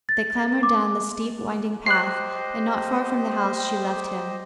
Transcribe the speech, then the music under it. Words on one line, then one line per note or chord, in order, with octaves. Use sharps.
They clambered down the steep, winding path, and not far from the house she left him.
A6
D6
G4 C5 D#5 F#6 C7